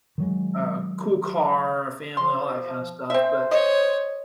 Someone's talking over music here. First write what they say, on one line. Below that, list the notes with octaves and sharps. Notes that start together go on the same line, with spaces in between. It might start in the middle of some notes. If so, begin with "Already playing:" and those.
a cool car, a family, all that kind of stuff. But
D#3 F#3 G#3
F3 C6
C4 C5 E5
C#5 D#5